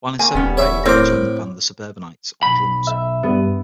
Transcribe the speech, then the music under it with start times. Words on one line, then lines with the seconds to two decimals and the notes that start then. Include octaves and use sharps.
While in seventh grade, he joined the band The Suburbanites on drums.
0.19 A#3 G#5
0.34 D#1 G3 B3 C#4
0.57 C#5 E5
0.86 A2 C4 A#4 D6
2.43 B1 B5
2.87 E5
3.23 G2 B3